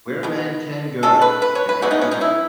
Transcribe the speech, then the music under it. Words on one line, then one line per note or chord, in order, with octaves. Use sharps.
And where a man can go, he can drag a gun.
B2 G#3 B3
D#3 G#3 C#4 A4
B4
B4
C#5
B4
E3 G#3 B3 F#4
D#4
C#4
D#4
E4